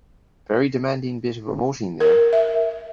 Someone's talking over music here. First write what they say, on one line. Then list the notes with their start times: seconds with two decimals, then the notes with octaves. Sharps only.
Very demanding bit of emoting there.
2.00 A#4
2.33 E5